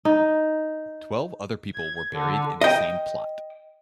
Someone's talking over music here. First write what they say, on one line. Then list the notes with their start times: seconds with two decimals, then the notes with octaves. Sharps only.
Twelve other people were buried in the same plot.
0.05 D#4
1.73 G#6
2.13 D3
2.61 D#5 G5